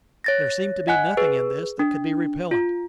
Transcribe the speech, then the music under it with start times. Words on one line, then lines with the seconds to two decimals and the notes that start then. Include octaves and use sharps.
There seemed to be nothing in this that could be repellent.
0.24 C#5 A6 A#6
0.87 D#5 F#5 G#5 F#6
1.17 G#4 B4
1.79 D4
2.51 F4